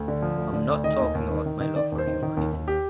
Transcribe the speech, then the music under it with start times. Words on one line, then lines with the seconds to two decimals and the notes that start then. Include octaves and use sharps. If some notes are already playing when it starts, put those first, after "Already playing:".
I’m not talking about my love for humanity.
Already playing: D2
0.08 D3
0.22 F3
0.37 D2
0.53 D3
0.69 D2
0.84 D#3 D#5
1.00 D#2
1.15 D#2
1.30 D#3
1.46 D#3
1.60 D#3
1.76 D#3 D5
1.92 D#2
1.98 C5
2.07 D#3
2.23 D#3
2.37 D#2
2.53 D#2
2.68 G4